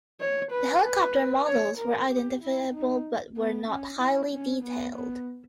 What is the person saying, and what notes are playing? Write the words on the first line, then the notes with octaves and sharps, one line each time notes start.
The helicopter models were identifiable but were not highly detailed.
C#5
B4
B4
C#5
A#4
G4
E4
D#4
B3
C#4
E4
C#4
B3
B3